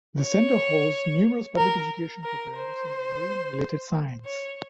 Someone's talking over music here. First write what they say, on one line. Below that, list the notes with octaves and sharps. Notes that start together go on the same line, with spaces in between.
The Centre hosts numerous public education programs in marine related science.
C#5
A#4
A#4
C5
C#5